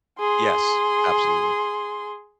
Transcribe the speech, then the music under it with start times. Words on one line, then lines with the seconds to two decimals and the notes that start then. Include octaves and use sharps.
Yes, absolutely.
0.20 G#4 C6